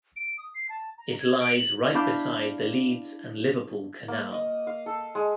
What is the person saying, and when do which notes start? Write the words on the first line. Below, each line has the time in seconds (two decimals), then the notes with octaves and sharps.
It lies right beside the Leeds and Liverpool Canal.
0.16 D7
0.38 D#6
0.55 C7
0.69 A5
0.98 A#5
1.20 G#6
1.41 D7
1.56 F#7
1.94 D4 E4 F5 B5 D6 G6
4.08 A#3
4.32 D#5
4.67 F5
4.86 A4
5.15 G#3